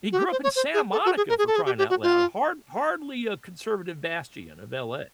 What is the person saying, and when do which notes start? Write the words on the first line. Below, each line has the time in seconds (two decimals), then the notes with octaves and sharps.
He grew up in Santa Monica for crying out loud. Hard hardly a conservative bastion of LA.
0.12 F#4
0.19 G4
0.32 C5
0.44 C#5
0.56 C5
0.74 G#4
0.92 A4
1.05 F#4
1.17 G#4
1.29 A#4
1.39 G#4
1.47 A4
1.56 G#4
1.66 G4
1.78 G4
1.90 F#4
2.03 F4